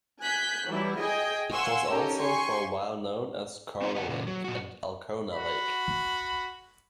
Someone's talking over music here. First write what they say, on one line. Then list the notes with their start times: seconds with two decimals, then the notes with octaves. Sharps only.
It was also for a while known as "Coral Lake" and "Alcona Lake".
0.21 G#5 F#6 G6 B6
0.68 E3 F#3 G3 E4
0.99 G#4 D#5 G5 G#5
1.51 F5 F#5 G#5 C6 C#6 E6
1.89 C#4 D#4 G4 A4 A#4
2.17 G4 G#5 C6 C#6
3.82 C4 D#4 F4 F#4 B4 C#5
3.95 G4 B4 F#5
4.08 A#2 C#3 E3
4.27 F#3
4.44 A#2 F#4
5.34 F#4 B5